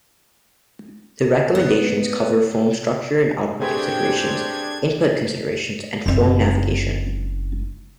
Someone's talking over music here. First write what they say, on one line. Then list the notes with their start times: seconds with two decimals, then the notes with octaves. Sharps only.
The recommendations cover form structure and output considerations, input considerations, and form navigation.
1.55 B3
3.61 A3 C4 D4 G4 G#4 B4 G5 G#6
6.06 F#1 C4